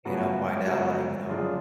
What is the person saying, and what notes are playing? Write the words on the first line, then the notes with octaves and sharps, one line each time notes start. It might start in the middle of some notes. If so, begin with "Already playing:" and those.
and I'll find out, like, you know,
F#2 C#3 F3 A3 B3 F#4
G#3
F#2 C#3 F3 G#3 B3 F#4
F3
D3
F#2 C#3 F3 G#3 D4 F4